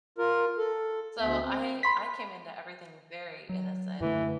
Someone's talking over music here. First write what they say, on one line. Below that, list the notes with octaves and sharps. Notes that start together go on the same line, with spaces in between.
So, I I came into everything very innocent.
F4 A#4
A4
D2 B3 E5
C4
B5 C6 B6
F#3
F#2 D3 E3 A3